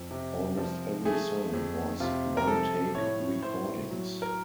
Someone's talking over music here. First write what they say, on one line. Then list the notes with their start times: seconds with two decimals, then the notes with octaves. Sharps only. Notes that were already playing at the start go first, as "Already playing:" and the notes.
Almost every song was one-take recordings.
Already playing: F2
0.11 C3
0.58 F3
1.05 A3 G#4
1.53 F2
2.00 C3 F4
2.37 A#4
2.47 F3 A4
2.95 A2 C#5
3.42 A2 C5
3.91 F#3
4.22 A#4